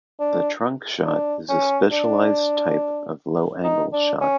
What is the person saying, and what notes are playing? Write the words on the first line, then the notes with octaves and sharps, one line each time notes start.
The trunk shot is a specialized type of low-angle shot.
D4
D4
C#4
D4
D#4
D4
C#4